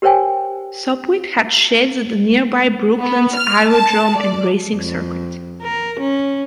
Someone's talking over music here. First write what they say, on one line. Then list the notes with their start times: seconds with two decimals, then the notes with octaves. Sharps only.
Sopwith had sheds at the nearby Brooklands aerodrome and racing circuit.
0.02 G4 A#4 C5 C#5 G5 G#5
2.99 B3
3.35 F6
3.70 A5
4.18 D5
4.73 F2
5.63 A#4
6.00 C#4